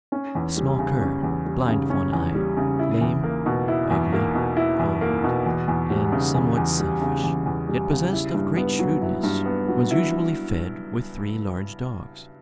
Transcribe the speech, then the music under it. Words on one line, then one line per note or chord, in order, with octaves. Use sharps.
A small cur, blind of one eye, lame, ugly, old, and somewhat selfish, yet possessed of great shrewdness, was usually fed with three large dogs.
C#4
E2
G3
C#3
C#4
E2
G3
C#3
C#4
E2
G3
C#3
E4
E2
A#3
B2
E4
E2
A#3
B2
E4
E2
A#3
B2
E2
E2
G3
C#3
E2
E2
G3
C#3
E2
E2
G3
C#3
E4
G2
B3
F#3
E4
G2
B3
F#3
E4